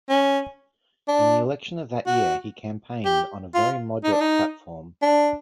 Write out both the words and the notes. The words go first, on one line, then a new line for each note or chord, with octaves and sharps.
In the election of that year he campaigned on a very moderate platform.
C#4
D4
F#4
G4
F4
D#4
D4
D#4
D4